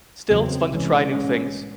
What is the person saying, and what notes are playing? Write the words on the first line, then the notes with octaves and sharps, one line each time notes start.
still, it's fun to try new things.
E2 C#3 F#3 C4
C2 C3 E3 G#3 C#4
A2 G#3 C#4